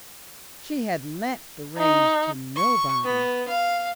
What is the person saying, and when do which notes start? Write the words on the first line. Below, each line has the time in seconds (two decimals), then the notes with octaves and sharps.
She had lent the ring to nobody.
1.78 D#4
2.56 C#6
3.04 B3
3.48 F5